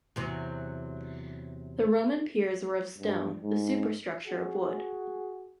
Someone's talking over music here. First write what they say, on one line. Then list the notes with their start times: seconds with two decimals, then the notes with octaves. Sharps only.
The Roman piers were of stone, the superstructure of wood.
0.16 E2 C3 F#3
2.98 G2
3.43 G#2
4.26 F#4 G#4